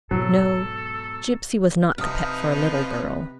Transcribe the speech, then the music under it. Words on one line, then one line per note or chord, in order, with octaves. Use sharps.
No; Gipsy was not the pet for a little girl.
G#2 B2 F#3 A4
C3 F3 D#4 B4 D#6 F6